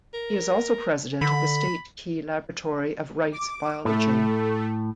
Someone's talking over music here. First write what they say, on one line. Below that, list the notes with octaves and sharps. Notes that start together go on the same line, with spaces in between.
He is also president of the State Key Laboratory of Rice Biology.
A#4
D3 B5
D6
A2 A3